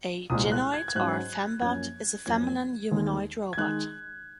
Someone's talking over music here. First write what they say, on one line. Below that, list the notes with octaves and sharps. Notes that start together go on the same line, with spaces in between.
A gynoid, or fembot, is a feminine humanoid robot.
C2 A#2 G#3 D#6
F#6
G#6
G#6
G#2 F#3 C#4 F#6
F#2 F3 A#3 C#4 G#6
F#2 F3 A#3 C#4 G#6
D#2 D#3 G#3
G#6
D#3 G#3 F#6